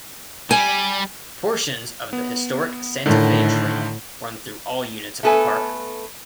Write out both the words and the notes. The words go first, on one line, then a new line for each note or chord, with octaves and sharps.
Portions of the historic Santa Fe Trail run through all units of the park.
G3 G#5
B3
A2 D3 D#3
A3 B3 A4 B4 G#5